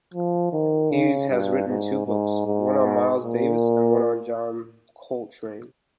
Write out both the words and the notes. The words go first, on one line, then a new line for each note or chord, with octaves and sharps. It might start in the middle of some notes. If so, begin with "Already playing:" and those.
He has written two books, one on Miles Davis and one on John Coltrane.
F3
D#3
C#3
G2
G#2
G#2
G#2
A#2